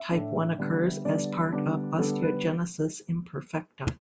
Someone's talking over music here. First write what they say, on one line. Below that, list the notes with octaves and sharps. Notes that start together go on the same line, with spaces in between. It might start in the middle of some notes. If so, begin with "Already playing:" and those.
Type One occurs as part of osteogenesis imperfecta.
Already playing: E5
A2 A3 D4
D3 G3 B3 D4
D3 G3 B3 D4 D5
D3 G3 B3 D4
D3 G3 B3 D4 A4
B4